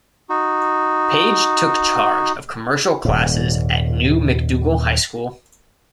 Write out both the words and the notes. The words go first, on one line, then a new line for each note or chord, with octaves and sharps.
Page took charge of Commercial Classes at new McDougall High School.
D#4 F#4
D#1 G#2